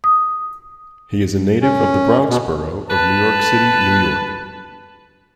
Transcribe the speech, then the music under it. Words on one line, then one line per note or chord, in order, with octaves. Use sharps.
He is a native of the Bronx borough of New York City, New York.
D#6
C#4
B2
B4 A5